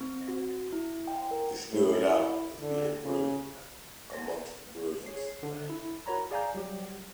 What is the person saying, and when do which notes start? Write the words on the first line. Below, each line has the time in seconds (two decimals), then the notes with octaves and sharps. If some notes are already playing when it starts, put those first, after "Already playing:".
It stood out as being brilliant amongst brilliance.
0.01 C4
0.28 F#4
0.73 E4
1.07 G5
1.31 A#4
1.70 A2
2.04 E4
2.60 D3
3.03 C#3
5.06 G#4 C#5 C7
5.43 D3
5.70 E4
6.06 F#4 A#4 C#5 A#5 B5
6.31 G#4 D5 F5 G#5 A#5 G6
6.54 F#3 G3 G4